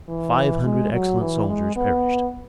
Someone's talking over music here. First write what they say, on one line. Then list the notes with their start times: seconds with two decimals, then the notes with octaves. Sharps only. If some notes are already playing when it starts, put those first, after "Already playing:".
Five hundred excellent soldiers perished.
0.08 E3
0.64 G#3
0.92 F#3
1.20 E3
1.48 G#3
1.76 B3